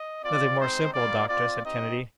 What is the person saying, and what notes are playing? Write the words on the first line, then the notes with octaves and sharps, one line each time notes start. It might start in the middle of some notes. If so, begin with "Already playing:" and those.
"Nothing more simple, doctor," said Kennedy.
Already playing: D#5
C4 F4 D5
G#3 C4 D#4 C5
G3 A#3 F4 D5
C4 F4 D5
C4 D#4 G4 D#5